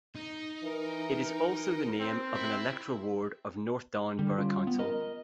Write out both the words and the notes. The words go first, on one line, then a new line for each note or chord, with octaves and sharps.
It is also the name of an electoral ward of North Down Borough Council.
D#4
E3 A#4
C4
E4
D3 G3
C#4 F4
B3
A#4 D#5